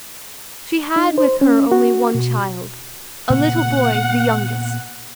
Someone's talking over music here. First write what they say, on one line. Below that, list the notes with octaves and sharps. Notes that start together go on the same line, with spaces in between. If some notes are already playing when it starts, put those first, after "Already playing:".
She had with her only one child, a little boy, the youngest.
D#4
C5
C#4
F#4
B2
A#2 C#3 B3 F#5